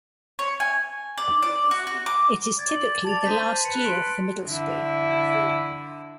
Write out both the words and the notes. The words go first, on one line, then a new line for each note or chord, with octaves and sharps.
It is typically the last year for Middle school.
C#5
G#5
D5
D5
F#4
F#4
D6
D5 G#6
F#7
D5 A5 A6 F7
C5 B6 D#7
B4 C#7
C6 D7
D3 E4